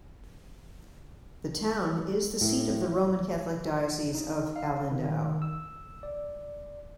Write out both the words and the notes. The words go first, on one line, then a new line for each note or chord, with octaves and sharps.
The town is the seat of the Roman Catholic Diocese of Alindao.
A2
D#4
F5
D#3
E6
D5